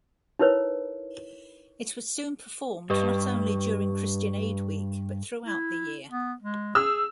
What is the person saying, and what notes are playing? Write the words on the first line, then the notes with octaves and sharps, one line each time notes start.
It was soon performed not only during Christian Aid Week but throughout the year.
D#4 E4 A#4 B4 C#5
G2 G4 B4 C#6
E4
B3
G#3
G#4 E6